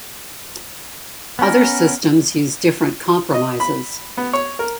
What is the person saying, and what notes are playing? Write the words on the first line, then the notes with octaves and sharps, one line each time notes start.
Other systems use different compromises.
B3 C#4 A#4
D#5
B5
B3
C#5
A#4